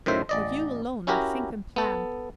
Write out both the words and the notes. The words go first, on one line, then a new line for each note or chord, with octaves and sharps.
For you alone, I think and plan.
F#2 A2 D#3 C5 E5
A1 D5 D#5
C#4 E4 F#4 G4 A#4
B3 A4